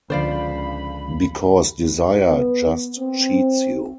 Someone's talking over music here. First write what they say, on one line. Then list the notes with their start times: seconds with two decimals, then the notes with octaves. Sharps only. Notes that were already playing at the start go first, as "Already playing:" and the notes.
Because desire just cheats you.
0.10 C#2 D3 F3 C5 D5 F5 B5
2.28 B3
2.99 C4